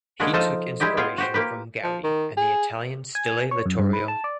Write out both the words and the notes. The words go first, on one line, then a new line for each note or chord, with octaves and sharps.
He took inspiration from Gaudi and the Italian Stile Littorio.
G#3 A#3 D4 F#4 A#4 B4
F3 D#4 F4 A4 D#5 A5
G3 G#3 E4 G4 D#5
B3 F4 G#4 F5 G5
F#4 G4 C5
A#3 F4 G4 B4
F3
D#3
G#4
G#5
C#5
F#2
G2
B4
A5
D5